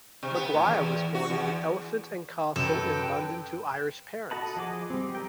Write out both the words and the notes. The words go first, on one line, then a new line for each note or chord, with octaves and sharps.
Maguire was born in the Elephant and Castle in London to Irish parents.
C3
B3
A2
E2
F#4
E2
F#2 A4 B4 G5
F#4 A4 D#5 A5 B5
F3 G#4 D#5 D6
G3 C4
G3 A#4 G5